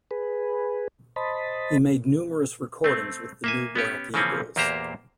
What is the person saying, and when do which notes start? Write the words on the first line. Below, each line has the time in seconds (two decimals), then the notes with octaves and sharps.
He made numerous recordings with the New Black Eagles.
0.11 G#4 B4
1.16 C5 D#5 A5 B5
2.84 A3 C4
3.44 A#3 E5 G#5
3.75 B3 C#4 G4
4.14 C#3 E3 F3 A#3 C4 C#4
4.56 E2 A#2 A#3 G4 C5 A#5